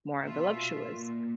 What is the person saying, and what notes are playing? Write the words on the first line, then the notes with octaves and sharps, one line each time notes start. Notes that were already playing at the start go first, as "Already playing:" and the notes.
more voluptuous,
B2 F4 E5
A#2